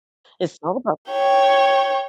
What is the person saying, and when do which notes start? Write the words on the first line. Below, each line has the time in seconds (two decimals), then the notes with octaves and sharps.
It's all about
1.11 C#5 G5